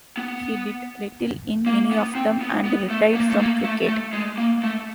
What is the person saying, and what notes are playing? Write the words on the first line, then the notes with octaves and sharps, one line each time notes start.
He did little in any of them, and retired from cricket.
B3
A#3
B3
C4
B3
B3
A3
A#3
A3
A#3
A3
A3
G#3
A#3
A3